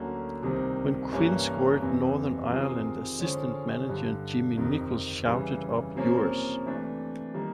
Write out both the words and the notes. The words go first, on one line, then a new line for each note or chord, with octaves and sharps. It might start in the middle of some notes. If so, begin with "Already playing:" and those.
When Quinn scored Northern Ireland assistant manager Jimmy Nicholl shouted Up yours!
Already playing: D2 D3 F#3 A#3 C#4
C2 C3 D#3 G3 C4
G2 E3 G3 A#3 C#4
F2 C3 E3
C3 D#3 G#3 C4 F4
D3 F3 G#3 C#4
G2 D3 G3
F2 C3 D#3
C#3 E3 G3
C3 F3 A#3 C#4
C3 E3 A3 D4
D#3 G3 A#3